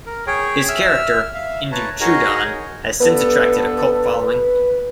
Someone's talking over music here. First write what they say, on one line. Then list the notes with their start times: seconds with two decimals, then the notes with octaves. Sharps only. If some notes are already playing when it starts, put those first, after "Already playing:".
His character Induchoodan has since attracted a cult following.
0.07 A#4
0.27 G#4 C#5 G5
0.69 E5 E6 F6
1.35 E5 F5
1.72 B4 C#5 A5 A#5
2.00 D#4 F#4 G#4 A#4 C#5 D#5
3.00 G2 B3 A4 B4